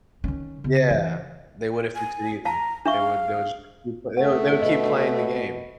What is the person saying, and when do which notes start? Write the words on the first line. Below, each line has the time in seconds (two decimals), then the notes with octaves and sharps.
Yeah, they wouldn't fix it either. They would they would just keep they would they would keep playing the game,
0.24 D#3 C#4
0.64 C#3
0.90 E3
1.95 G#5
2.45 F5 A5 A#5
2.86 D4 E5 F5 C#6
4.17 A3 F#5
4.61 B2 D#5